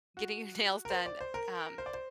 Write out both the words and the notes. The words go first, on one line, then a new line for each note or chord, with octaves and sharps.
getting your nails done, um
F#4
A#4
C5
D5
C5
A#4
C5
D5
C5